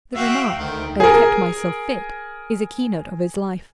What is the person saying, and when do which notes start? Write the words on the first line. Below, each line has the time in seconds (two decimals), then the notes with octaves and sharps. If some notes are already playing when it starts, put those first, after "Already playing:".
The remark, "I have kept myself fit," is a keynote of his life.
0.15 F#4 E5 F5 G5
0.58 D2 D#3 G5
1.00 G#4 A#4